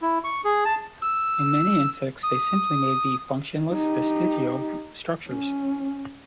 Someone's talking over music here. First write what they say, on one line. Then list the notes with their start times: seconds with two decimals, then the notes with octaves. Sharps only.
In many insects, they simply may be functionless vestigial structures.
0.02 E4
0.24 C#6
0.45 G#4
0.65 A5
1.02 E6
2.23 D#6
3.72 D#4 G4
5.29 C#4